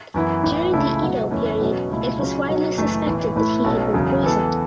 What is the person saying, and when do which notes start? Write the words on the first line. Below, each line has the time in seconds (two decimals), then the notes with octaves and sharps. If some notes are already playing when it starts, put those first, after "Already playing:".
During the Edo period it was widely suspected that he had been poisoned.
0.14 F#2 E3 B3 E4
0.43 A1 A2 E3 B3
0.72 C#2 C#3 A3 E4 A4
1.02 B2 F#3 A3 F#4
1.31 F#1 E2 E3 A3 C#4
1.60 B2 F#3 C#4
1.90 C#2 B2 A3 E4
2.19 C#2 C#3 F#3 C#4
2.48 B2 F#3 C#4
2.78 F#1 F#2 E3 A3
3.07 B1 A2 E3
3.36 A2 A3 E4 B4
3.64 B1 B2 F#3 C#4 A4
3.94 E1 E2 C#3 F#3
4.23 E2 E3 B3 A4